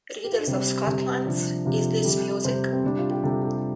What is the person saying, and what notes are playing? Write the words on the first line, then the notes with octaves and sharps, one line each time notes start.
Readers of Scotland's Is this music?
G4
F4
D4
C3 G3 C4
C3 G3
C3 F3 D4
C3 F3 F4
C3 G3 A4
C3 G3 C5
C4
C3 G3 D4
F4
G4
C3 G3 A4
G4